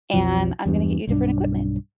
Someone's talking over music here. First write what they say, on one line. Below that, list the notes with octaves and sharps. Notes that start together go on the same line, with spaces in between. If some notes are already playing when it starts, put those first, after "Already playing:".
and I'm gonna get you different equipment,"
B1 F2 F3 F#3
E2 G2
B1 G2 D4